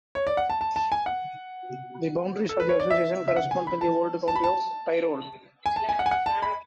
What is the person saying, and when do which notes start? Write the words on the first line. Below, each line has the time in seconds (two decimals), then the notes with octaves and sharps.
The boundaries of the association correspond to the old County of Tyrol.
0.15 C#5
0.27 D5
0.37 F#5
0.50 A5
0.61 A5
0.76 A5
0.92 G#5
1.06 F#5
2.49 A4
2.60 B4
2.69 C#5
2.80 D5
2.90 E5
3.28 E5
3.36 F#5
3.51 G#5
3.67 B5
3.81 A5
4.28 A5
4.36 B5
4.44 A5
5.66 G#5
5.76 A5
5.89 G#5
5.99 F#5
6.06 G#5
6.11 F#5
6.26 A5
6.42 B5